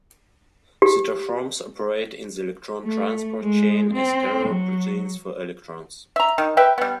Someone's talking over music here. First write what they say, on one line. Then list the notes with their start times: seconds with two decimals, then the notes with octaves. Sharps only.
Cytochromes operate in the electron transport chain as carrier proteins for electrons.
0.82 G4
2.83 A3
3.42 G#3
3.93 C4
4.48 F#3
6.16 E5 A#5
6.38 D#3
6.57 B4 E5 G5
6.78 G3 B3